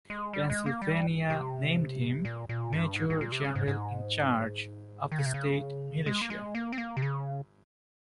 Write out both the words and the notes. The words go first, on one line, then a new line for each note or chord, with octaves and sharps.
Pennsylvania named him major general in charge of the state militia.
G#3
G3
G#3
A#3
G3
C3
A#2
A#2
G2
G#2
G#2
A#2
C3
C#3
G#2
G#2
D#3
C#3
C3
C#3
G#3
A#3
G#3
A#3
C4
A#3
C3
C#3